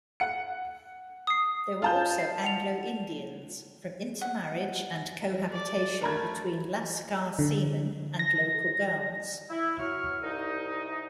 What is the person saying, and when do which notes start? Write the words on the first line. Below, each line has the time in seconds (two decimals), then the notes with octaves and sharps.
There were also Anglo-Indians, from intermarriage and cohabitation between "lascar" seamen and local girls.
0.20 F#5 C#7
1.27 D#6 C7
1.82 F4 A5 G6
2.18 C7
2.44 F#5 F7
4.21 F#5
5.52 D5
6.01 A3 A#4 B5 G#6
7.39 D3
8.19 A#6
9.50 E4
9.79 F#3 C#6 F6
10.23 C2 D#4